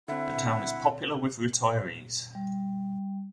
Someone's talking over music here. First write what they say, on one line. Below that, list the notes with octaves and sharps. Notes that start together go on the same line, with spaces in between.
Like much of the south coast, the town is popular with retirees.
D3 C4 E4 E5 F#5
G3